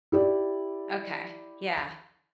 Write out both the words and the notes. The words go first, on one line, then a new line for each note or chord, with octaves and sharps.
Okay. Yeah.
E4 G4 D5